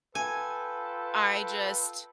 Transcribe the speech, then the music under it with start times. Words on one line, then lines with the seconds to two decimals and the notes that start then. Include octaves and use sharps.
I just
0.15 F4 A4 B4 G5 G#5